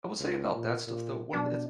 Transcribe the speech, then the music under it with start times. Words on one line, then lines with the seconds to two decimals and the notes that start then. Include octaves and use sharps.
I will say about that stuff though, one of the it's
0.19 C#2
0.54 A#2
0.87 A#2
1.33 B2 D4